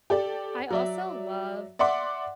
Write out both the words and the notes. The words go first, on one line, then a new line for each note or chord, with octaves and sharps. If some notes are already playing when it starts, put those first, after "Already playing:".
I also love,
G4 A4 D5
F#3 D5 E5
D5 E5 F#5 C6 D6